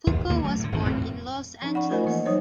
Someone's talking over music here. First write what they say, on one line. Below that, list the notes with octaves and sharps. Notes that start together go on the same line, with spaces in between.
Fulco was born in Los Angeles.
D#2
D#2 D3 A#3
F#3 A3
A2 D3
G#1 F2 D#3
E2 A2 C4
F3 C#4 D#4
D5 F#5 B5 C#6
A3 F4 A#4 C5 D#5 G#5
E3 F3 A#3 D#5
F#3 D#4 C5 C#5